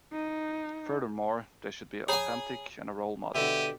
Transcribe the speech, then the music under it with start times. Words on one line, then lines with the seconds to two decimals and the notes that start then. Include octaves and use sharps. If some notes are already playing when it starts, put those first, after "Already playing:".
Furthermore, they should be authentic and a role model.
0.13 D#4
2.08 G#4 C#5 G#5 A#5 B5
3.35 B2 D3 G4 E5 D#7